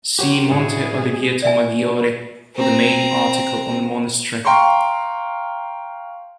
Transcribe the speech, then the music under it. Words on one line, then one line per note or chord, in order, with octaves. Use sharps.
See Monte Oliveto Maggiore for the main article on the monastery.
F#4 G4 A#4 C#5 C6
A2 D4 E4 G#4 C#5 D#5 F#5 G#5
G#3
D5 E5 G#5
C4 A#5
F5 G5 A#5 C6 C#6